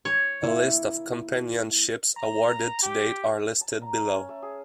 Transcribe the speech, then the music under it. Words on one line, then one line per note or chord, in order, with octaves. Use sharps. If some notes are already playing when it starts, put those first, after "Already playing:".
A list of companionships awarded to date are listed below.
C#5
A#3 E4
A#5
G4
A5
A#5
C#4
A3
G#4